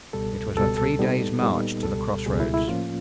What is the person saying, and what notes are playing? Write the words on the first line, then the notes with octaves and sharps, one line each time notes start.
It was a three days' march to the cross roads.
C#2 B2 G3 A4
C#2 B2 G3 A4
A4
A#2 G3 B3 D#4
A#2 G3 B3 D#4
C#2 B2 G3 A4
C#2 B2 G3 G#4
E4
E4
A2 F3 A#3 C#4 F4